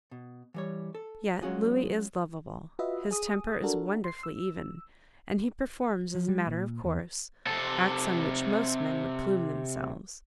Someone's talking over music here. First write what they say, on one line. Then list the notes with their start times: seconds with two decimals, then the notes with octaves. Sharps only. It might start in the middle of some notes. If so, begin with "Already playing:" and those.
Yet Louis is lovable; his temper is wonderfully even, and he performs, as a matter of course, acts on which most men would plume themselves.
0.11 B2
0.54 E3 G3 C#5
0.95 A4
1.42 F#3 G#3 C#4 F4 F#4 G#4
2.79 F4 F#4 B4 D#5 E5
3.11 G#4 D#6
3.63 D4 F#4 A4 A#4
4.04 C6 C7
4.23 E6
6.15 F3
6.29 G3
6.46 A#2
6.84 E2
7.47 C3 A4